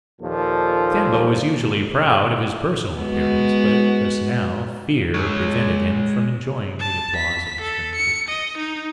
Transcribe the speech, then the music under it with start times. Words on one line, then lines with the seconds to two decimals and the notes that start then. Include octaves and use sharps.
Sambo was usually proud of his personal appearance, but just now fear prevented him from enjoying the applause of the strangers.
0.22 D#2 A#2 F3 A4
2.98 G#3 B3 F#4
5.14 G#3 C#5
6.80 A5
7.16 B6
7.61 A4
7.95 C#7
8.29 D#5
8.58 D#4